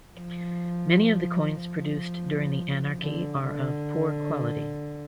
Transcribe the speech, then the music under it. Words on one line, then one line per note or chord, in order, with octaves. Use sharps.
Many of the coins produced during the Anarchy are of poor quality.
F3
F3
D3
D3